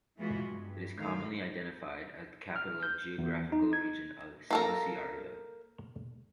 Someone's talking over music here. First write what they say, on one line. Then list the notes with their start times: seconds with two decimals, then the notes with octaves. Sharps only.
It is commonly identified as the capital of the geographical region of Ciociaria.
0.18 E3 G#3 B3 F4 F#4
0.48 G2
0.97 D2 D#3 F5
2.56 F6
2.83 G6
3.18 E2
3.52 D#4
3.73 G#6
4.50 A#3 A4 A#4